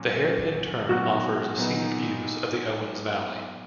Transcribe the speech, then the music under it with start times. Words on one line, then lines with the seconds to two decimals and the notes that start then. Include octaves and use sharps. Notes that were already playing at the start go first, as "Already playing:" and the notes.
The hairpin turn offers scenic views of the Owens Valley.
Already playing: A#2 F#3 C#4
0.22 A#2 F#3 C#4
0.89 A#2 F#3 B3 D#4 F#4
1.57 A#2 F#3 B3 D#4